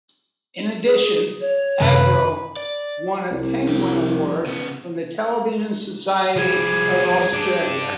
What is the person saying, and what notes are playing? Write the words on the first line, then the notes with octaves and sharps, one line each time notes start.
In addition, Agro won a Penguin Award from the Television Society of Australia.
G#4
C#5
F#2 C3 D#3 B4
D5
C2
F2 G4
C#3 B3
F3 G3 G#4
D4 G4